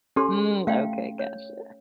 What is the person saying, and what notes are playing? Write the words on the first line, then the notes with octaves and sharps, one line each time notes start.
Mm, okay, gotcha.
C#4 G4 A4 C6
A3 C#4 F5 G5
C#5